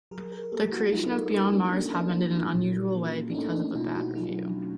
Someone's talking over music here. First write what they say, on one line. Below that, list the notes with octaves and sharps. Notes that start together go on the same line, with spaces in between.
The creation of "Beyond Mars" happened in an unusual way-because of a bad review.
F#3 G#4 A#4
G#4 A#4
A#3 G4 A4
E4 F#4
F#3 D#4 F4
D#4 F4
A#3 D4 E4
C#4 D#4
A#3 D4 E4
D4 E4
A#3 D#4 F4
D4 E4
A#2
A#3
D4
A3 C#4 D#4
D#4
D4 E4
B2 D#4 F4
E4 F#4
F#3 D#4 F4